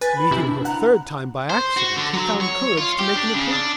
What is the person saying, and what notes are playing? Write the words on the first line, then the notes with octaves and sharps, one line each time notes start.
Meeting her a third time by accident he found courage to make an appointment.
B4 G#5 A6
B5
C3 E4
D4
F#5 A#5 F#6
C5
F#4
D3
F#3
C#5
F4
G4
D4
C#3
D4